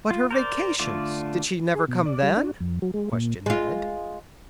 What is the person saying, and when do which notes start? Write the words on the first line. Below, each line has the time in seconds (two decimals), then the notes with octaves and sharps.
"But her vacations--did she never come then?" questioned Ned.
0.11 F4
0.31 A#4 C5 D5
0.79 D3 A3 F4 D5
1.75 G#4
1.88 B2
2.05 D5
2.22 G3
2.37 D4
2.60 F2
2.82 F#3
2.94 G#3
3.13 A#2
3.46 G#3 F4